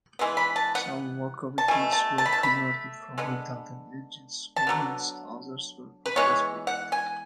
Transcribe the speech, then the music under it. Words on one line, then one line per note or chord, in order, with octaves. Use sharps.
Some locomotives were converted from redundant engines, whilst others were purpose built.
E3 G#3 B3
B5
A5
F#5
A5
B2 A3 G#5
A5
A5
B5
A5
B5
D3 G#3 B3
A5
D3 F#3 B3
B4
E3 G#3 B3 C#5
F#5
G#5